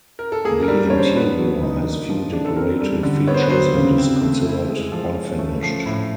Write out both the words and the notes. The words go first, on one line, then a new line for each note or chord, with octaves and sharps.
The interior has few decorative features and is considered unfinished.
A#4
A4
A#3 G#4
A#4
G3
D4 C#5
C5
B3 B4
F#3
D#4
A#3
F3
D4
A4
C4 A#4
G3
D3
B3 C#5
C5
B4
F#3 C5
C#3
C4
A3
E4
G#3
F3
C#4
A3
F3
A2